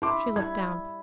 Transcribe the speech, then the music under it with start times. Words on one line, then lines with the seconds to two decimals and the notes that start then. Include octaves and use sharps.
She looked down.
0.02 E4 C6 D6
0.36 G3 E4 G#6